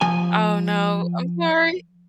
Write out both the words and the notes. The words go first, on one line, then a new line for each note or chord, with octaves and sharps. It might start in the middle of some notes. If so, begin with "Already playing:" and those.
Oh, no, I'm sorry,
F3 G#5